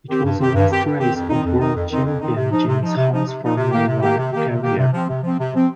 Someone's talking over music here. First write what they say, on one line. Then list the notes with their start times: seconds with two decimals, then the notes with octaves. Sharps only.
It was the last race of World Champion James Hunt's Formula One career.
0.08 D#3 C4 G4
0.24 G2
0.38 D#3 C4 G4
0.54 G2
0.69 D#3 C4 G4
0.84 G2
0.99 D#3 C4 G4
1.15 F2
1.30 D#3 C4 D#4
1.44 F2
1.60 D#3 C4 D#4
1.75 F2
1.90 D#3 C4 D#4
2.05 F2
2.20 D#3 C4 D#4
2.36 C3
2.51 F3 D#4
2.66 C3
2.81 F3 D#4
2.96 C3
3.11 F3 D#4
3.26 C3
3.42 F3 D#4
3.57 C3
3.72 D#3 A#3 G4
3.87 C3
4.02 D#3 A#3 G4
4.18 C3
4.33 D#3 A#3 G4
4.47 C3
4.62 D#3 A#3 G4
4.78 C3
4.92 F3 C4
5.08 C3
5.23 F3 C4
5.39 C3
5.54 F3 C4